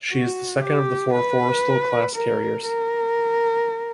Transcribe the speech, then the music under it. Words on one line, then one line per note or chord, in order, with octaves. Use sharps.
She is the second of the four "Forrestal"-class carriers.
F#4
G4
B4
A#4
A#4